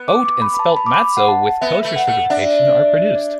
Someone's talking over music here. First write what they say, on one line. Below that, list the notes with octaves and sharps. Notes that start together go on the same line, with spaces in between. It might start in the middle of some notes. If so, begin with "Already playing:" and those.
Oat and spelt matzo with kosher certification are produced.
Already playing: B3
D6
D6
B5
B5
A5
B5
D6
B5
F#5
A5
B3 E5
A3
F#5
A3
D4 E5
E5
E5
D5